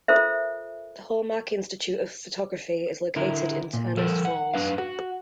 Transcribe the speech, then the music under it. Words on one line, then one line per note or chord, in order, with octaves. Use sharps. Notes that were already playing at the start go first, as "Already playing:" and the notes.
The Hallmark Institute of Photography is located in Turners Falls.
F4 A4 A#4 C5 E5
D3 E4 A#4
A#2
F3 A4 A#4 C5
F#5
F#2 D4 B4 F5
F#4